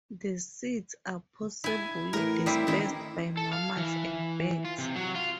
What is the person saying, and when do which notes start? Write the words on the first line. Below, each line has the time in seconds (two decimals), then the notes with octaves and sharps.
The seeds are possibly dispersed by mammals and birds.
1.64 E4 G#5
2.13 A2 E3 A#4
2.46 G3 C4 E4
2.67 A1 D#3 G3 E4
3.37 A4
3.53 F5
3.77 E3
4.65 F4
4.78 C3
4.96 F#3
5.15 F4